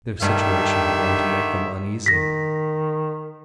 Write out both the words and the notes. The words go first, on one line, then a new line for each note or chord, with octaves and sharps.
Their situation began to make them uneasy.
G2 D3 D#3 E5
D#3 A#6 B6